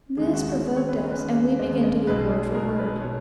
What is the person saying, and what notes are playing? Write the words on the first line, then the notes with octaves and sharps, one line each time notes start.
This provoked us, and we began to give word for word.
D#2 C#3 G#3 B3 G#4
F#4
F#4
D#2 C#3 G#3 B3 G#4
C#5
B4
A#4
D#2 C#3 G#3 B3 B4
D#2 C#3 G#3 B3 D#5
D#5
B1 B2 G#3 B4
G#4
G#4
G#4
B1 B2 G#3 A#4
B4
B2 C#5